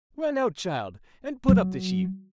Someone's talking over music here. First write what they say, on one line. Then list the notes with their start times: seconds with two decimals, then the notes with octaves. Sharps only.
Run out, child, and put up the sheep.'
1.48 F#3